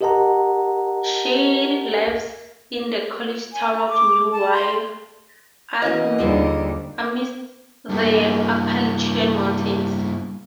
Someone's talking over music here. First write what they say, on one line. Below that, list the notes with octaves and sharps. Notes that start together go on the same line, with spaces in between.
Shade lives in the college town of New Wye, amidst the Appalachian Mountains.
G4 A#4 D#5 F#5 A5 A#5
G#5
A#5
D6
A5
C6
B2 E3 C#4 D#5
D#2 D3 G3 F4 G#4 C5
G2 A#3